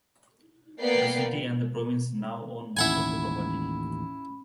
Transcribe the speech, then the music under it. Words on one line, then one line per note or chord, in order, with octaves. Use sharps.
The city and the province now own most of the property.
A#3 B3 B4 D5 G5 C7
A1 D#2 C#4 E4 F#5 G#5 B5